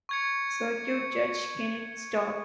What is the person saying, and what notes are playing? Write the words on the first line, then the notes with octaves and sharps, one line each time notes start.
Circuit judge Kenneth Starr.
C#6 G#6 C#7